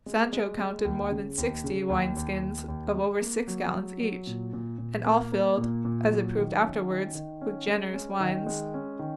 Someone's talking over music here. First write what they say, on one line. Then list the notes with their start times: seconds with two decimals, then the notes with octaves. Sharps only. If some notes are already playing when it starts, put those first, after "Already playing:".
Sancho counted more than sixty wine skins of over six gallons each, and all filled, as it proved afterwards, with generous wines.
0.06 G#3
0.33 G#3
0.59 G#3
0.85 D#2
1.11 C#3
1.38 D#2
1.64 C#3
1.89 D#2
2.16 D#2
2.42 D#2
2.68 D#2
2.95 G#3
3.21 A#3
3.48 F#3
3.74 F#3
4.00 F#3
4.27 A#2
4.53 A#2
4.78 A#2
5.05 A#3
5.32 A#3
5.57 A#2
5.85 A#2
6.11 F#3
6.36 D#3
6.62 C#4
6.90 D#3
7.15 D#3
7.41 C#4
7.68 G#3
7.94 C#4
8.20 D#3
8.47 G#3
8.74 C#4
8.99 D#3